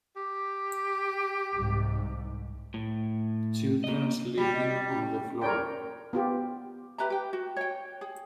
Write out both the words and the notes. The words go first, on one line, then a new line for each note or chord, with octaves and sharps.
Children sleeping on the floor.
G4
C2 G#2
A2
A#3 D#5
G3 F#4
D#5
C#4
A#4 C#5 D5 G5
B3 F4 G4
G4 B4 E5 A#5
G4 G5
F#4
C#5 G5
G#4